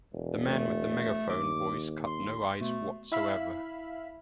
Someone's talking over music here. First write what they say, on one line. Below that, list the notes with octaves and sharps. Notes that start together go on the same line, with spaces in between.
The man with the megaphone voice cut no ice whatsoever.
E1
A3
D#2 D6
C6
B2 A3
E4 E5 F5 B5